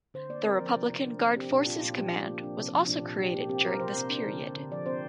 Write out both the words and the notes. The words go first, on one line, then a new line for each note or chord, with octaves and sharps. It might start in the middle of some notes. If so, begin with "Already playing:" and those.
The Republican Guard Forces Command was also created during this period.
D3 C5
A#3 D5
C4 A#4
F3
C3
C3
D4
D4
C4 G4
A#2 D4
A#2 F4
A#2
F3 G4
D4
A#3
D4
C3
F3
A#2 D4
A#2
D4 G4
A#3 G4
C4 G4
C4 A#4
C3 C5
C3
D4
D3
D3
D3
F3 D5
C4 C5